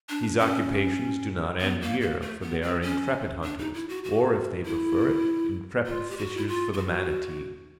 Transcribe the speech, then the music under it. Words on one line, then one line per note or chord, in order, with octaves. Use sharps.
These occupations do not end here, for they are intrepid hunters, or, if they prefer it, intrepid fishers for the manatee.
D4
C#4
B3
A#3
A#3
A3
B3
C4
C#4
D4
D#4
E4
F#4
F#4
E4
F4
G4
F#4
E4
F4
F4
F#4